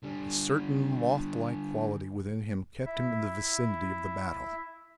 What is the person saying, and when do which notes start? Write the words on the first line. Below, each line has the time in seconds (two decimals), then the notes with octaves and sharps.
A certain mothlike quality within him kept him in the vicinity of the battle.
0.03 D3 G3
2.86 E4 E5